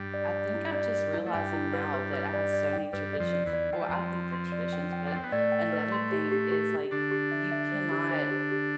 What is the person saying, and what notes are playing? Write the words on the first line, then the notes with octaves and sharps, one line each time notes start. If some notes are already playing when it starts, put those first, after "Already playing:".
I think I'm just realizing now that I have so many traditions well, I think they're traditions, but another thing is, like, you cannot,
Already playing: G2 G3 G5
D5
D5
E4
D5
D5
E4
A3
G2 G3 G5
E4
B4
B4
B4
D5
D5
G5
G2 G3 B4
D5
F2 F3
D5
E2 E3
D5
F3 G5
G3
F2 F3 C6
C6
C6
D5
G5
G5
D4
C4 G5
B3
A2 A3 D5
G5
B4
C6
G4
G4
G4
G4
D3 D4 G4
G4
E5
E5
C5
G4
C5
G4
G4